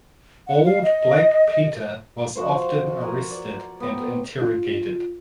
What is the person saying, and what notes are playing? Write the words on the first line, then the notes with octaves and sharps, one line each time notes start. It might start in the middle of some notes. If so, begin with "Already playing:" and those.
Old Black Peter was often arrested and interrogated.
F#5
F5
D#5
F3 F#4 C5
A#4 F#5 G#5
D5
B3 C4
F4